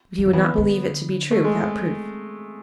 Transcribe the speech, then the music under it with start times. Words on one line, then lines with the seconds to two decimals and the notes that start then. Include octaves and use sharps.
But he would not believe it to be true without proof.
0.18 F#3
0.26 F3
0.33 E3 B3
0.58 D3
1.31 A3
1.44 G#3